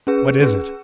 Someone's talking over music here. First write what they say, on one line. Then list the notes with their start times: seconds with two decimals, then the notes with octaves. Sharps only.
"What is it?"
0.07 C#4 G#4 B4
0.40 C#4 G#4 B4